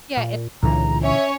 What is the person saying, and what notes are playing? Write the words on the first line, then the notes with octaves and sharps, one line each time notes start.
yeah an
A#2
C#2 A#2 D3 E3 A#5
C#4 C#5 E5